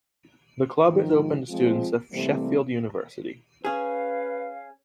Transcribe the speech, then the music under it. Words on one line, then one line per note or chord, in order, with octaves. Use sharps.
The club is open to students of Sheffield University.
G#2 D#3 F3
F3 G#3 C4 F4
C3 E3 G3 A3 A#3 C4
C#4 G#4 B4 F5